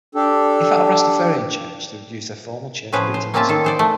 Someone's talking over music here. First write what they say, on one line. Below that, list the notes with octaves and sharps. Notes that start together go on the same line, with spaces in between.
If at a Rastafarian Church, they would use their formal church greetings.
D4 G4 A4
A2 F3 C#4 G#4 B4 C5
C5
A#3 C4 C#4 F4 E5 A5
D#3 A4
G#4 C5 D5
A3